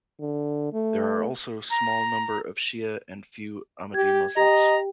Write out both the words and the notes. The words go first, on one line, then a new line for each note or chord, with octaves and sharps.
There are also small number of Shia and few Ahmadi Muslims.
D3
A3
A#5
G4 G#6
G4 D#5 G5 A#5